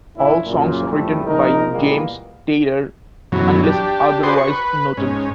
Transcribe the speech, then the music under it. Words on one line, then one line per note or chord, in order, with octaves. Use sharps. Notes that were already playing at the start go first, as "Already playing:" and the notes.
All songs written by James Taylor unless otherwise noted.
F#1 F2 A#2 D4 E4 C#5
F#2 A#2 C#3
F2 A2 G3 A3
A#1 D#4 A#4
A#2 E3 G3 G#3 A#3 B3
F#2 B2 E3 F#3
D4 G4
F#4 G#4 B4 C5 D5 C6
C#6
B4
G#2 C#4